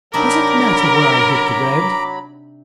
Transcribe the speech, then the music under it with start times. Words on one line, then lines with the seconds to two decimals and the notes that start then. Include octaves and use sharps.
"Does it matter where I hit the red?"
0.14 C3 F#3 D4 D#4 A#4 A#5 B5 D6